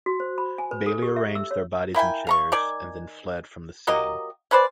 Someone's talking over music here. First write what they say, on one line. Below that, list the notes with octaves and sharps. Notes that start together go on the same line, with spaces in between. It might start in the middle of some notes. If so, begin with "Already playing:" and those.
Bailey arranged their bodies in chairs and then fled from the scene.
F#4
C5
B5
G#5
B4
A4
G4
E5
E6
C#5
A#3 E4 G5 G#5
F5 A#5 C#6
D#3 D5 G#5
F#3 A#3 G4 D#5
C#4 B4 C5 D5